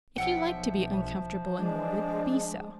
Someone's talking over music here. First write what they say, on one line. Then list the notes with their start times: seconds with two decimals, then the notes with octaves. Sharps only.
If you like to be uncomfortable and morbid, be so.
0.16 B1 F3 E5 F#5 G5
1.58 G#3 D4